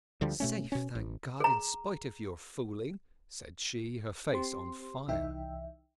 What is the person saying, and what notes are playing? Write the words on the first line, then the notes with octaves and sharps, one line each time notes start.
"Safe, thank God, in spite of your fooling!" said she, her face on fire.
D2 D3 F3 G3
B2 A3 C#4
B2 C#4
A1
G#4 A#5
C4 G4 C6
C2 E3 D#4 E5 G5